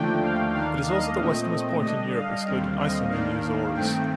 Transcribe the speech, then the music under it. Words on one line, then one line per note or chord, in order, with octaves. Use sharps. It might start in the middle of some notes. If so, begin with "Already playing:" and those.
It is also the westernmost point in Europe excluding Iceland and the Azores.
Already playing: D#2 D3 F3 A3 D4 G5
F5
D#2 D#3 A#3 D4 F5
D#5
A#2 A3 C4
D3 G3 D4 D#5
F5
D#2 D3 G3 C4
D#5
D#2 D#3 A#3 D4 F5
G2 D#3 A3 C4 G5